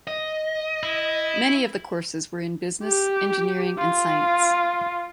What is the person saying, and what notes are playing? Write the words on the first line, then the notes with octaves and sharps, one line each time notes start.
Many of the courses were in business, engineering and science.
D#5
E4
G4
F4